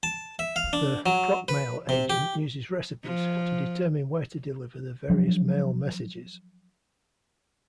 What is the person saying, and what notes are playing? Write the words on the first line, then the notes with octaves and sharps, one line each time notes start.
The procmail agent uses recipes, to determine where to deliver the various mail messages.
A5
E5
F5
D4
F#3
B4
C3
G4
F3
F3 F#3 G#3 D4